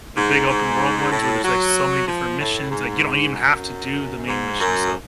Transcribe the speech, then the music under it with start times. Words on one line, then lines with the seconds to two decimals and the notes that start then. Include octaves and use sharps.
The big open world ones where there's, like, so many different missions, like, you don't even have to do the main mission, so
0.17 G#2
0.49 G#2
1.12 A2
1.44 F#3
2.06 F3
2.39 A2
2.70 G#2
3.34 F#2
4.28 G#2
4.60 F#2